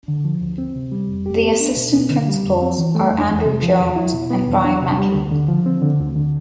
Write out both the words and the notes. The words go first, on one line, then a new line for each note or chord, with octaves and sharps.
The assistant principals are Andrew Jones and Brian Mackey.
D3
F3
D2
C4
C3
G3
F2
G4
B3
D4
B2
B3
D3
G3
F2
C4
E3
A3
F2
E2
C3
F3
E2
E4
B2
B3
E2
D4
C3
G3
D2
D3
F3
C4
D3
D2
D3